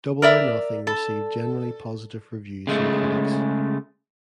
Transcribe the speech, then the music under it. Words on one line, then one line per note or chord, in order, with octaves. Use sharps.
Double or Nothing received generally positive reviews from critics.
A#4 D5 E5
A4
C#3 G#3 A3